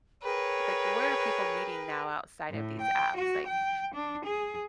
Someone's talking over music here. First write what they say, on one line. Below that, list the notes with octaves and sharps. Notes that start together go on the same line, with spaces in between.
like, where are people meeting now outside of these apps? Like,
G#4 A#4 B4 C#5 G5
A2
G5
F#4
G5
D4
G#4